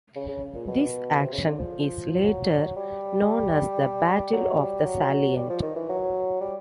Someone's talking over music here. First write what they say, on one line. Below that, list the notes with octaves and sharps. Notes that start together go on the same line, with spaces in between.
This action is later known as the Battle of the Salient.
C#3
C#3
A#2
B2
C3
C#3
D3
F3
F#3
G3
F#3
G3
F#3
G3
F3
D#3
E3
F#3
G3